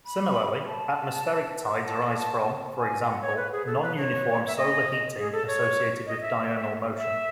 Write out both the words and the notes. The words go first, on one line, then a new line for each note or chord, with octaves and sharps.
Similarly, atmospheric tides arise from, for example, non-uniform solar heating associated with diurnal motion.
B5
A5
A5
G#5
F#5
C#5
B4
G#4
A4
B4
C#5
E5
D#5
G#4
A4
C#5
D#5
E5
E5